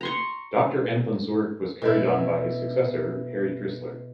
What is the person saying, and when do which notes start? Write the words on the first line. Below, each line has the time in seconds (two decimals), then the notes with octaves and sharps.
Doctor Anthon's work was carried on by his successor, Henry Drisler.
0.01 A#5 C6 C#6
1.82 B2 E4